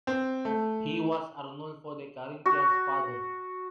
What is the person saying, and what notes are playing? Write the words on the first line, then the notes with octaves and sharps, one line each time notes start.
He was Arnulfo de Carintia’s father.
C4
A3
F#4